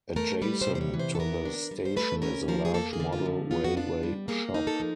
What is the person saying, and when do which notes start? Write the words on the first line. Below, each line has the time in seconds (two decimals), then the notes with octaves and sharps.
Adjacent to the station is a large model railway shop.
0.16 A3 A#4
0.42 G3 B4
0.61 C5
0.67 C3
0.75 C5
0.81 C#5
0.94 E3
0.99 C5
1.15 A4
1.19 B3 A#4
1.45 D4
1.71 G3
1.85 C5
1.96 A3 B4
2.22 C#4 A#4
2.48 F3 A#4
2.65 G#4
2.74 A#3 A4
2.93 G#4
3.00 D3
3.13 F4
3.26 F3
3.51 B3 F4
3.64 F#4
3.77 D4 F4
4.03 G3
4.28 A#3 G#4
4.54 D#4
4.67 A4
4.80 F3